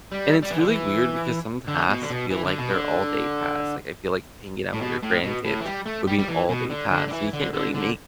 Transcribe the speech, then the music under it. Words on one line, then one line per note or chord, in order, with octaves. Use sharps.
and it's really weird because some tasks feel like they're all day tasks, like, I feel like hanging out with your grandkids would be an all day task, and you can't really make
G3
G3
E3
D3
E3
D3
B2
D3
B2
E3
D3
B2
D3
A2
B2
A2
B2
A2
E3
G3
A3
G3
G3
E3
B2
D3
D3
D3
E3
D3
D3
D3